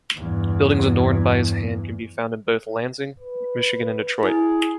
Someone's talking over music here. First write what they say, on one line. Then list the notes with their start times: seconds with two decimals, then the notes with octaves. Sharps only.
Buildings adorned by his hand can be found in both Lansing, Michigan and Detroit.
0.16 E2 G2
3.20 B4
4.23 E4 G#4